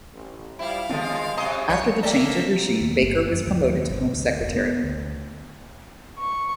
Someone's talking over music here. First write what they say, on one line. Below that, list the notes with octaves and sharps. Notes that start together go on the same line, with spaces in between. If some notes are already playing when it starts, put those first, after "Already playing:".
After the change of regime Baker was promoted to Home Secretary.
A1
F3 G3 E4 F5
D#2 D3 F3 G#3 B3 C4
C3 F#3 D#5 A5
B1 C#5 D5
A#3 A4 D5 E5 G5
D#2
G1
F#2
D2
D#2
G#1
D2
F1
B3
D2
C#6